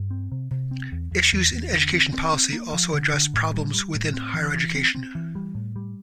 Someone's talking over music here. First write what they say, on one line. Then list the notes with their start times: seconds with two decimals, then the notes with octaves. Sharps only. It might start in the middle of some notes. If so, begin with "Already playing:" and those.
Issues in education policy also address problems within higher education.
Already playing: G2
0.11 C4
0.32 C3
0.51 C3
0.71 C4
0.92 E2
1.11 E2
1.33 E2
1.53 E2
1.72 D3
1.93 C4
2.13 C4
2.33 C4
2.53 A#3
2.73 F3
2.94 D3
3.14 D3
3.34 A2
3.54 G3
3.74 G3
3.95 A2
4.14 C4
4.34 E3
4.54 E3
4.75 C4
4.95 C4
5.15 E3
5.35 G3
5.55 A2
5.76 G3